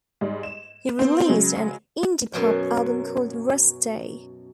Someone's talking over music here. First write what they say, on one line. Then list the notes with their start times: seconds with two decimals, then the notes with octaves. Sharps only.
He released an Indipop album called 'Rest Day'.
0.21 G#2 G3
0.43 E7
0.99 B3 C4
1.28 C#3 F#3 G#3
2.33 F#2 B2 F#3